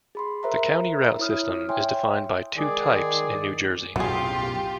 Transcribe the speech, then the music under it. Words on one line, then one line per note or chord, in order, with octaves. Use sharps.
The County Route system is defined by two types in New Jersey.
G#4 B5 C6
A#4 C5 E5 A#5 B5
E4 C#5 D#6 F6
C#5 E5 G5 G#5 C6
D#3 G#3 G#4 D5
B1 F#2 A2 F#3 F4 G4 G#4